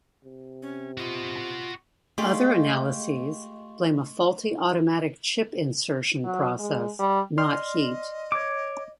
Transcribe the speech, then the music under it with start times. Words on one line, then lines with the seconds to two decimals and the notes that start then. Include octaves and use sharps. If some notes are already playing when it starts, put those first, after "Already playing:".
Other analyses blame a faulty automatic chip insertion process, not heat.
0.25 C3
0.62 C#4
0.98 F4 F#4 D#5
2.18 G#3 A3 F4 G4 C6 C#6
6.25 F#3
6.60 G#3
6.99 G3
7.38 D5 D#5 C6 F6
8.32 C#5 D6